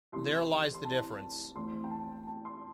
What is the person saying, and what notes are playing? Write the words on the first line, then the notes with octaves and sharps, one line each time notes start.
There lies the difference.
C2 C3 E3 C6
C6
A5
E2 E3 A3 C4 C6
G5
A5
A5
C6